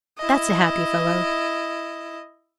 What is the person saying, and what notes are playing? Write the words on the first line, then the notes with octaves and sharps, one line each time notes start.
That's a happy fellow!
E4 D#5